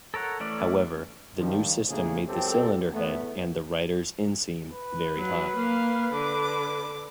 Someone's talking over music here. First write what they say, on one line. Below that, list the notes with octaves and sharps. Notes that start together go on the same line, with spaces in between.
However, the new system made the cylinder head, and the rider's inseam, very hot.
A4 A#4 C#5 F#5
E3 A3 C#4 D5
G2 D#3 F3
A#1 D#2 C#3 A3 A#3 G#4
C#2 F#2 C4 G4 A4
E2 A3 B3
B4
F#3
A#3 F5
D3 D6